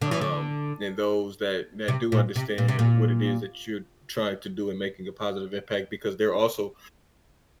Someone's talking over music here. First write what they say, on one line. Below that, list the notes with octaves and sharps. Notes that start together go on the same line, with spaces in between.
Um, and those that that do understand what it is that you're trying to do in making a positive impact, because they're also
D3
E3
D3
C3
A#2
C3
A#2
C3
A#2